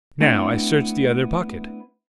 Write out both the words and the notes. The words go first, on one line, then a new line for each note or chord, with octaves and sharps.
Now I search the other pocket....
A3 B3 C4 D4 E4 B4